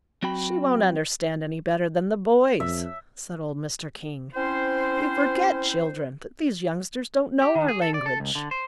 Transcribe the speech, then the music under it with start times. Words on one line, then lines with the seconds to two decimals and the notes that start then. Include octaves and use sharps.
"She won't understand any better than the boys," said old Mr. King. "You forget, children, that these youngsters don't know our language."
0.23 F#3 C4 F#4 G5 B5
2.60 F2 E5
4.35 C4 C#4 E4 C5
7.42 G4
7.55 D#3
7.68 G#4
7.82 A4
7.94 D5
8.06 A4
8.20 C#2
8.35 D3
8.51 C5